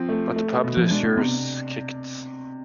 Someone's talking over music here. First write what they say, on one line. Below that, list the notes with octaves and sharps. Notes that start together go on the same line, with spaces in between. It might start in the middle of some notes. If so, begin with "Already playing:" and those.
But the publishers kicked.
Already playing: F3 C4
A3
A3
B2
F3
G#3 D4
A3
C3 B3